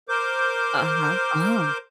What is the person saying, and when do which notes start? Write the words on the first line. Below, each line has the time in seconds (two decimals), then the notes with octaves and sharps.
Uh-huh, oh.
0.09 A#4 C5 D6 G6